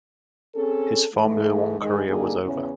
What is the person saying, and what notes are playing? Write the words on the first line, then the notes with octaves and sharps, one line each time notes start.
His Formula One career was over.
C4 C#4 G#4 A4
G#2 E3 G#3 A3
G#2 D#3 G#3
D3 G3 A#3 D#4 G#4
E2 C#3